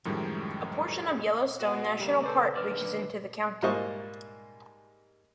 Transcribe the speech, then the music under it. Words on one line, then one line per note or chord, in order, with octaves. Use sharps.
A portion of Yellowstone National Park reaches into the county.
F#2 A2 D#3 F3 G3 G#3
B3 F#4 D#5
C#3 G3 A#3 A#5
A4 B4 C5 D5
D#2 D3 B4 D5 F6
G#2 G3 A#3 C5 D#5 C#6